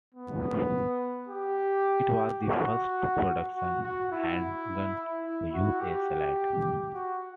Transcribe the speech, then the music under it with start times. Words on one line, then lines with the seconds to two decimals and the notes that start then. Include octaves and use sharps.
It was the first production handgun to use a slide.
0.15 B3
1.29 G4
2.41 F#4
3.55 F#4
3.83 F#4
4.12 E4
5.24 E4
5.53 F#4
5.80 G4
6.94 F#4